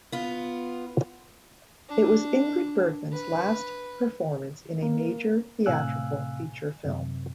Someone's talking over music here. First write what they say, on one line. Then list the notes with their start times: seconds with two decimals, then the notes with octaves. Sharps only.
It was Ingrid Bergman's last performance in a major theatrical feature film.
0.12 B3 F4
1.89 D4
3.12 B4
4.82 A#3
5.66 A2 C3 F5 G#5 E6 F#6
6.85 F#2 C3